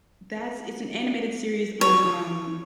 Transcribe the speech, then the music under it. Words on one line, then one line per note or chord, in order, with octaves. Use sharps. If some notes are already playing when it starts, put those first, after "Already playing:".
That's it's an animated series on, um,
C#5